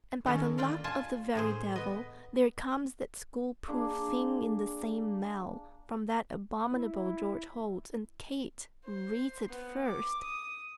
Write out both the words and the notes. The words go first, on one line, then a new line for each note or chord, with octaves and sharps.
And by the luck of the very Devil, there comes that school-proof thing in the same mail, from that abominable George Holt, and Kate reads it FIRST.
D#3 A3 C#4 A4
A#3 F4 D5 G5
F4 G#5 A5
A2 G#4 C5
B3 D#5
A#3 D4 G#4
E4
C5
B3
D6
D#6